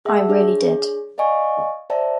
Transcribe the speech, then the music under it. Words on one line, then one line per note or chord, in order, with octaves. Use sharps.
I really did.
G#4 E5 F#5 G5 A5 E6
D4 G#4 C#5
D5 D#5 F5 G#5 C#6
C5 D5 E5 G5 A5 A#5